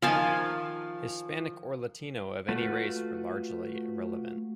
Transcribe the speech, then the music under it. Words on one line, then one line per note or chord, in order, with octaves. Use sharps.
Hispanic or Latino of any race were largely irrelevant.
D#3 F3 F5 G#5 A5
A3 F4 F#4 A4 B4